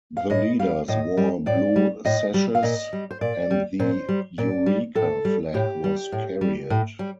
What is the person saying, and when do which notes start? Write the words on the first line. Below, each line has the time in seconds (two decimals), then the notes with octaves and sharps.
The leaders wore blue sashes and the Eureka Flag was carried.
0.17 F5
0.30 A2 D#5
0.59 G3 F5
0.88 A2 D#5
1.17 G3
1.46 A2 D5
1.76 G3
2.05 A2 D#5
2.34 G3
2.55 F5
2.63 A#2 D#5
2.93 G3
3.11 C5
3.21 A#2 D5
3.51 G3
3.79 A#2 C5
4.09 G3
4.38 A#2 D5
4.66 G3
4.95 A2 A4
5.25 G3
5.54 A2 G4
5.84 G3
6.12 A2
6.41 G3
6.70 A2
6.99 G3